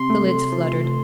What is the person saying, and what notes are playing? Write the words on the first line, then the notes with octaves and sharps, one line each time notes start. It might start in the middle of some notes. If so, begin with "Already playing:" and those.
The lids fluttered.
Already playing: C3 C6
A3
F3